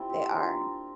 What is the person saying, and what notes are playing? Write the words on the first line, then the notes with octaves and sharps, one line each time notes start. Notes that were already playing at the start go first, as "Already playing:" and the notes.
they are.
Already playing: G3 C4 E4 F4
G4
A#3 D4 F4 A#4